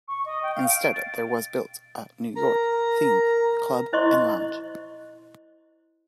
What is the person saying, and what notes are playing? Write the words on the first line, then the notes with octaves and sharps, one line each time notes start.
Instead, there was built a New York-themed club and lounge.
C#6
D#5
G5
F5
D7
D7
A6
A#4 A#5
E4 C5 D#5 C6 C#6